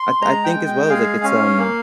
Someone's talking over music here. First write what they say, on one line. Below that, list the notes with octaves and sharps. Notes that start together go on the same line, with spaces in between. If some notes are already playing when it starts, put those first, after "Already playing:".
I I think as well, like, it's, um
Already playing: C6
G#3 A#5
G5
G#3
G5
G#4 F5
C#4
A#3